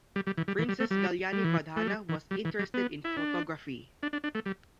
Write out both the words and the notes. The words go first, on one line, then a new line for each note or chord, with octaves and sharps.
Princess Galyani Vadhana was interested in photography.
G3
G3
E3
G3
E3
G3
A3
G3
G3
E3
A3
G3
E3
G3
E3
G3
B3
E4
D4
D4
D4
D4
A3
G3